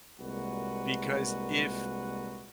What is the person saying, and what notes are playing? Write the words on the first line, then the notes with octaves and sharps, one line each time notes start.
Because if
C2 A#2 G#3 A#3 F#4 B4